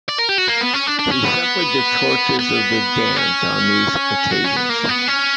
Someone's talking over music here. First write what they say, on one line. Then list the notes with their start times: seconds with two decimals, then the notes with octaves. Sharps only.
He suffered the tortures of the damned on these occasions.
0.09 D5
0.19 A#4
0.29 G4
0.38 F#4
0.48 A#3
0.61 B3
0.73 C#4
0.87 D4
0.99 D4
1.11 C#4
1.25 B3
2.39 B3
3.16 C#4
4.31 F#4
4.44 C#4
4.56 B3
4.69 A#3
4.89 B3
5.08 C#4